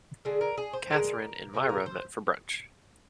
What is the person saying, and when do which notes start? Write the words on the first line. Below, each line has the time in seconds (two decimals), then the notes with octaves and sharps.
Catherine and Mira met for brunch.
0.25 D3 G#3 G#4
0.41 A#4
0.58 G#4
0.73 C5
0.90 D3 G#3 A#4
1.53 C3 F3 G#3 G#4
1.69 A#4
1.86 C5